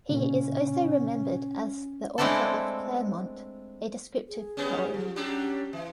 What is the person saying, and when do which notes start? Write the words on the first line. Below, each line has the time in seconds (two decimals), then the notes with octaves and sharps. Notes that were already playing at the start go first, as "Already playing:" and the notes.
He is also remembered as the author of "Claremont", a descriptive poem.
0.09 A#2 C#3 C#4
2.18 G#3 A3 C4 D4 E4 A4
4.28 G#4
4.57 G3 B3 C#4
4.94 F3
5.16 F#3 G3 C#4 D4
5.73 E3 E5